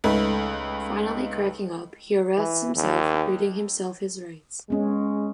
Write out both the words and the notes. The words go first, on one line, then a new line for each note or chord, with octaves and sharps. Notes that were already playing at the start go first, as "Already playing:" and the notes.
Finally cracking up, he arrests himself, reading himself his rights.
C#2 A3 D#4 B4
E3
D#2
G#3 B3 C#4